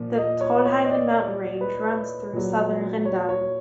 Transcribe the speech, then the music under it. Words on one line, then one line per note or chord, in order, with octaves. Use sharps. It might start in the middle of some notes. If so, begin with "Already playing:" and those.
The Trollheimen mountain range runs through southern Rindal.
Already playing: A#2 F3
D#5
C#5
C#5
D#5
D5
B4
A#2 F#3
C#5
C#5